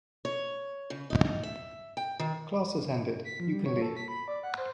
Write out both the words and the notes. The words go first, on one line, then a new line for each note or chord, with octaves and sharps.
Class has ended, you can leave.
C#5
C#3
D#4
E5
G5
D#3
B6
F3
G3
C#5
A4
B6
B5
D5
F#5
C5